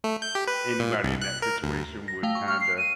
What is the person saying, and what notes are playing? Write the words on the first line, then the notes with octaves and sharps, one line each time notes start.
anybody in that situation would kinda
A3
G6
G4
B4
A#2
C2
F#6
A#4
D2
A#6
A3 F5 G5
C#6
C#6 F6
C7
D#7